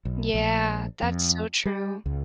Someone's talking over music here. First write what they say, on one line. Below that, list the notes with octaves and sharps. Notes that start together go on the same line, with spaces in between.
Yeah, that's so true.
B1
A#1
F2
G3
C#2